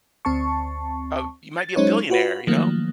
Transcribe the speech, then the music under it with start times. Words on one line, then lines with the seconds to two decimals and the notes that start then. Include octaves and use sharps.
uh, you might be a billionaire, you know?
0.25 D2 C4 A5 C#6
1.58 A6
1.76 F#3 G#3 C#4 D#4 C5 C#5
2.10 F4 F#4 B4
2.47 D#3 F3 F#3 A3 A#3